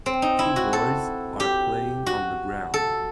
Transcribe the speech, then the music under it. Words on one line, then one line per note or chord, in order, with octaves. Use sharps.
Two boys are playing on the ground.
C4
D#4
E4
F#4
A4
G4
F#4
A4